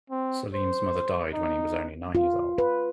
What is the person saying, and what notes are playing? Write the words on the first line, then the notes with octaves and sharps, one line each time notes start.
Salim's mother died when he was only nine years old.
C4
C5
D#4
F4
B4